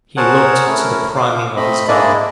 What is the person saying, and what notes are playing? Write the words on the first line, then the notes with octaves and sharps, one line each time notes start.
He looked to the priming of his gun.
G#4 A#4 C5 C#5 F#5 A5
A3 C#4 E4 A#4
F5 D6
A3 C4 D#5 B5
G#3 A#3 D4 E4 D5 D#5